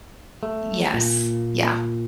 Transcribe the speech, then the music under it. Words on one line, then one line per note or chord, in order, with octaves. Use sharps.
Yes. Yeah.
A3
A#2